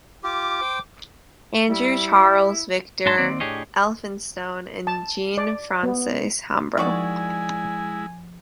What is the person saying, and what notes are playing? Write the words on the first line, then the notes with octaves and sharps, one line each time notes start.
Andrew Charles Victor Elphinstone and Jean Frances Hambro.
F4 G4 D6
C5 G5
G3 E4
G#2 D4 A5 C6
D#2 C#3 C4 D5
A2 D4 G4 G#4 C#5 D#5
A5
D5
B3
D#3 F3 G#3 E4 F#4 D5 G#5